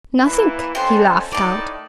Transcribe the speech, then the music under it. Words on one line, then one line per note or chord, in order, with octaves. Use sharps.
"Nothink!" he laughed out.
E3 A#3 E4
F2 C#4 G4 A4 C5
A2 D#3 D#4 D5 A5